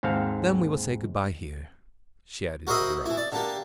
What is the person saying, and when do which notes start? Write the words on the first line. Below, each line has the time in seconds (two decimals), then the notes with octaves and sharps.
"Then we will say good-bye here," she added to Durrance.
0.03 D#2 G#2 C4 A4 F5
2.67 F#4 A#4 C5 D#5 E5 B5
3.06 E3 E4
3.17 D5
3.32 D3 A#3 G4